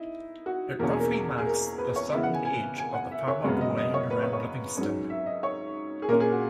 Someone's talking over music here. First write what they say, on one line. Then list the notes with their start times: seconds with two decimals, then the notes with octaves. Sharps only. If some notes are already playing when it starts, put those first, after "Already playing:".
It roughly marks the southern edge of the farmable land around Livingston.
Already playing: D#4 E4
0.46 F#4
0.79 E2 B2 A#3 C#4 A#4
0.90 G#4
1.00 A#4
1.38 G#4
1.46 A#4
1.78 B4
1.96 C#5
2.12 C#3 E3 B3 E5
2.23 F#5
2.34 G#5
2.45 G#5
2.78 G#5
2.94 F#5
3.11 E5
3.28 C#5
3.44 F#2 C#3 G#3 B3 C#5
3.61 D#5
3.78 D#5
3.94 C#5
4.11 B4
4.22 C#5
4.33 C#5
4.77 G#2 F#3 C#4
5.10 E5
5.26 D#5
5.43 C#5
6.02 G#4
6.08 A#2 A#3 C#4 A#4
6.20 G#4
6.31 F#4